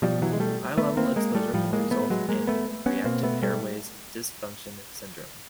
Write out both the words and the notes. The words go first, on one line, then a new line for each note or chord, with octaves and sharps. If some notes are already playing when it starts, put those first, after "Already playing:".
High-level exposure can result in reactive airways dysfunction syndrome.
B2 F3 G3
E3 F#3
G#3
G3 A3
A3 B3
A#3 C4
G#3 A#3
G3 A3
A2 F3 G3
G#3 A#3
A3 B3
F#3 G#3
G#3 A#3
A3 B3
B3 C#4
B2 A#3 C4
A3 B3
G3 A3